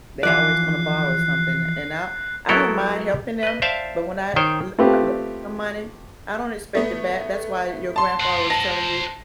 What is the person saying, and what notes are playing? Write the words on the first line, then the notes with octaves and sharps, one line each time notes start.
they always wanna borrow something, and I I don't mind helping them, but when I l l some money, I don't expect it back, that's why your grandfather was telling you,
E3 F3 D5 F#6 C7
F#3 B3 E4 A4 A#4
B4 D#5
C5 D5 E5 F5 A5
D#3 C5 C#5 G5
A3 B3 C4 F4 G4
A3 B3
A5 C6
C5 F#5
A5 A#6